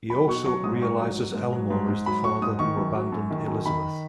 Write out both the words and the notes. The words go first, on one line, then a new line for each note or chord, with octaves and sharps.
He also realizes Elmore is the father who abandoned Elizabeth.
F#3 B5
B2 C#6
F#3 C#6
G#2 D#6
G#2 C#6
F#3
F#3
G#2
F#3
G#2
G#2
F#3 B5
F#3 C#6
G#2 D#6
D#3 C#6
F#2
F#3
F#2
D#3
F#2
D#3 B5